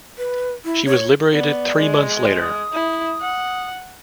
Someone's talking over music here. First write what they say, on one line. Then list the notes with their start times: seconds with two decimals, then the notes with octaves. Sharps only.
She was liberated three months later.
0.18 B4
0.65 E4
0.86 C#5
1.33 B3 D5
1.76 G#3
2.41 D#6
2.72 E4
3.21 F#5